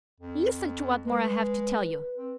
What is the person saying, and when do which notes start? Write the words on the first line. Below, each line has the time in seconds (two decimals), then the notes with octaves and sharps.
Listen to what more I have to tell you.
0.20 F2
1.05 G#3 B4
2.17 C4